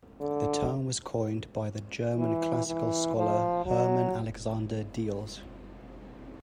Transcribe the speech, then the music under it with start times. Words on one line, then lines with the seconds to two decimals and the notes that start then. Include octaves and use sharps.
The term was coined by the German classical scholar Hermann Alexander Diels.
0.20 D3
2.18 E3
2.66 E3
3.17 F3
3.65 F#3